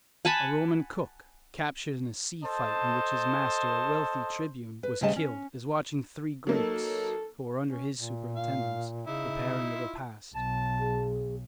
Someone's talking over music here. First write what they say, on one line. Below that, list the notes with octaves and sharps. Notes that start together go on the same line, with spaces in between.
A Roman cook, captured in a sea fight in which his master, a wealthy tribune, was killed, is watching three Greeks, who are under his superintendence, preparing a repast.
F#5 G#5 A5 B5
A4 C5 D#5 A5
B4
D2 C#3 G3 D#5 A5
C#4
F#3 A#3 D#4 A4
C#4
A#2
F5
C#3 D#4 E4
F4
B1 A5
G#4